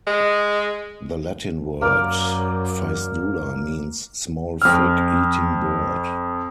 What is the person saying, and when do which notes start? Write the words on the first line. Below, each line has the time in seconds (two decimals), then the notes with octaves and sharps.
The Latin word "ficedula" means "small fig-eating bird".
0.07 G#3
1.81 F#2 A#3 A#4 D5
4.62 F2 F6